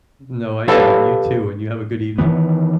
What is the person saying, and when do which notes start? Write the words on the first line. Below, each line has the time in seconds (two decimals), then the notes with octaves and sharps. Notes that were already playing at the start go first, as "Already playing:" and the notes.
No, I don't, and you too, and you have a good evening.
0.68 G4 A4 B4 C#5 F5
2.18 D#3 E3 B3